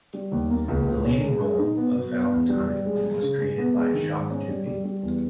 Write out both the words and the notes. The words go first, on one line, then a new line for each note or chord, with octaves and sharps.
The leading role of Valentin was created by Jacques Duby.
G3
D#2
A#3
C#2
C#2
C#4
G#3
G#3
D#4
B3
B2
B3
E2
G3
G3
G#3
G#3
C#3
G#3
B3
G#3
D#3
G#2
C#4
G3
G3
G3
E2